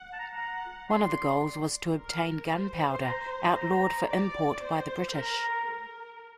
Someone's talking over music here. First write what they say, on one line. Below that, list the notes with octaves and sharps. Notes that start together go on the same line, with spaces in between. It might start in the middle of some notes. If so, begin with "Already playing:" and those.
One of the goals was to obtain gunpowder, outlawed for import by the British.
Already playing: F#5
A5
A#5
F#5 A#5
D5 C6
A#4
C5
C6
A#5
A#5
D5
C5
A#4 A#5
A#4